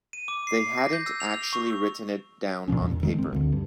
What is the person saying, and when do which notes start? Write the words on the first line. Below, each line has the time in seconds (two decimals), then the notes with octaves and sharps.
They hadn't actually written it down on paper.
0.13 D#7
0.28 D6
0.47 C7
0.78 A#6
0.93 G6
1.06 E6
1.20 F7
1.34 E6
1.53 C#6
2.68 A#2 D#3 F3 C#4
2.82 E2 A#2
3.03 D#3 G#3 A3
3.18 C4
3.32 D2 D3
3.52 G2